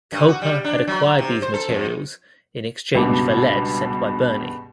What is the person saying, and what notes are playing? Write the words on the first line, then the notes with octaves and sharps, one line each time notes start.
Culper had acquired these materials in exchange for lead sent by Birnie.
G2
F#4
G3
D4
F#3
C3
C5
A4
F2
C#2 G2 B2 F#4 D6